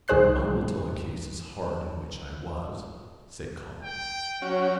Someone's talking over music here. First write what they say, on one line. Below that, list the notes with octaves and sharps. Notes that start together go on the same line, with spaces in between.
"I will tell a case as hard in which I was," said Conall.
C2 D#3 G#4 C5 F#6 C7
G5
F#3 C#4 F#4